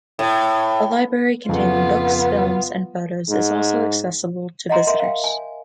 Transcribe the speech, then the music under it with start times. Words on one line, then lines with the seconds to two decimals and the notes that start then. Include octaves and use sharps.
A library containing books, films, and photos is also accessible to visitors.
0.19 A2
1.49 F2 C#3 B3 F4
3.29 G#2
4.69 D#5 F#5 A#5 C6
4.87 A#4 E5 C6
5.00 F5 G5
5.24 G#5